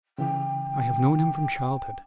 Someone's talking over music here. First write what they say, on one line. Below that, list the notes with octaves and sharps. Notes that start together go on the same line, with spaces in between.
I have known him from childhood.
C#3 E3 G5